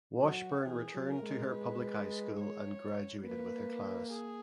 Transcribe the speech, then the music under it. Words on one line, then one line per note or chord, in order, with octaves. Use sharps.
Washburn returned to her public high school and graduated with her class.
F#3 F#4
E3 G#4
F#3
A#4
G#3
B4
C#5
A#3 B4
G#4